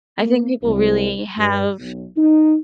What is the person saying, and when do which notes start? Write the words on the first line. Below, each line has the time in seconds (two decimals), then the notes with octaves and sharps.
I think people really have
0.20 A#3
0.62 C2
1.38 G2
1.80 B1
2.17 D#4